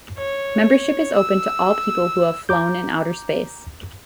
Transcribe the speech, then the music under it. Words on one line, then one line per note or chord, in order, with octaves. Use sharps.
Membership is open to all people who have flown in outer space.
C#5
E6
A#5 D6 G6